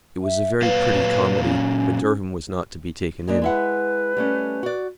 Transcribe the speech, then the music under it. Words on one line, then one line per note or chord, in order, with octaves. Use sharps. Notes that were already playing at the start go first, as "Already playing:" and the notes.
It was a very pretty comedy, but Durham was not to be taken in.
E5
A#2 F#3 B4 F5
C#4
G#3 A#3 D4
G#3 E4 B4 F#5
G3 A3 C#4
F#4 D5